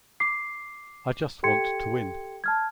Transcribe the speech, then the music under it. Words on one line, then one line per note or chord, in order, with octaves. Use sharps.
I just want to win...
D6 C7
G4 A4 G5 C6 G#6 C#7
A5 F6 G#6